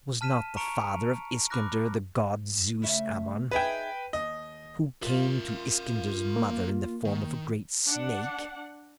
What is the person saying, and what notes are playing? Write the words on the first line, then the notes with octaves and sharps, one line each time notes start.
Was not the father of Iskander the god Zeus Ammon, who came to Iskander's mother in the form of a great snake?
A5 F6 B6 D#7 E7
A#5 C#6 C#7 D7 F7
B5 D6 F6 F#6 A#6
C#3 A3 E5
D#4 G#4 B4 E5 G5
D#2 D#5
F4 A#4 E5
A#3
D#3
D4 F#5